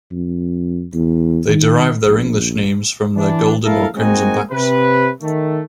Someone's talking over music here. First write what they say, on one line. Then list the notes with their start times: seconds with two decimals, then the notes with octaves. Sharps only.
They derive their English names from their golden or crimson backs.
0.12 F2
0.94 E2
1.48 D#3
2.07 A#1
3.16 E3 D4
3.64 A#1 A2 E4 A4 A#4 F5
3.96 G#3 A#3 C4 D#4 F#4 G#5
4.51 C3 B4
5.22 D#3 A3